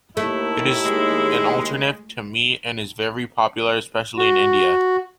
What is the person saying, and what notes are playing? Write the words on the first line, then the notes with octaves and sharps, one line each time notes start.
It is an alternative to meat and is very popular especially in India.
D#2 D#3 A3 E4
G#3
F#4